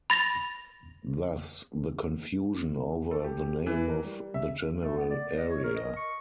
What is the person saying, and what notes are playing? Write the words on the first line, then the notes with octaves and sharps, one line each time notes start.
Thus the confusion over the name of the general area.
B5 A6 A#6 F7
A4
G4
E3
A#4
G3
E5
A3
B3
D5
D#5
C#5
A#4
D#5
C#6